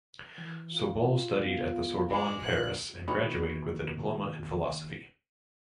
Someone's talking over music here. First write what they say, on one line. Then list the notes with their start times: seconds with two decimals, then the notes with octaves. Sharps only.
Sobol studied at the Sorbonne, Paris, and graduated with a diploma in philosophy.
0.38 E3
0.72 F4
1.44 B3
2.08 G#3 D5
2.41 C2 A#2 D3 F4 F#6
3.08 D#2 D#4 F#4 B4 C#5 B5